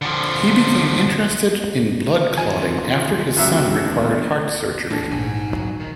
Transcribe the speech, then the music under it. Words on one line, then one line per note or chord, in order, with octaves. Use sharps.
He became interested in blood clotting after his son required heart surgery.
D3 F3
E2 D#3 F4 G#5
C#2 F#3 A3 B3 D4 E5
A2 E3 D4 A4
A#1 G#2 F#5 G#5
F#3
D#3